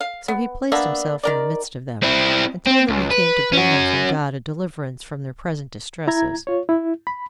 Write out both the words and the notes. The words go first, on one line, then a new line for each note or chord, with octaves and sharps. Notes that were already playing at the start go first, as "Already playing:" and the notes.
So he placed himself in the midst of them, and told them he came to bring them from God a deliverance from their present distresses.
F5
B3
A#3 B3 D4 E5
D#3 A#4 D5
C4 E4
C4
C#2
B4
C#4 F#4
E4 A#5 G#6
F4 C#5
E4
B5